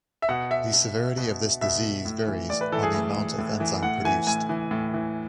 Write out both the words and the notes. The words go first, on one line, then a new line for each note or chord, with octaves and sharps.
The severity of this disease varies on the amount of enzyme produced.
E5
B2 F#5
E5
B2
B2
B2 E5
A2
E3
A2 D5
B4
E3 A4
G#4
A2
E3
A2
E3
A2 F#5
E3 G#5
A2 G#5
E3
A2
E3